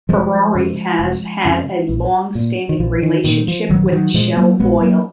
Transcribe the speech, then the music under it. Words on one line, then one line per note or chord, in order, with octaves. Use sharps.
Ferrari has had a long-standing relationship with Shell Oil.
F1 F3 G#3
F2 C#3
F1
F2 C#3
A#1
A#2
D#3
A#1 F3
D#3
A#2 D#3
F3
A#1 D#3 F#3
D#3 F#3
A#2 F3 G#3
F#3 A#3
A#1 G#3 B3
F#3 A#3